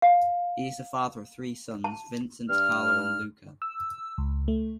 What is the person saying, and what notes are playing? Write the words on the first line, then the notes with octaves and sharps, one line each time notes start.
He is the father of three sons, Vincent, Carlo, and Luca.
F5
A5
G2 F6
E6
C#2
A3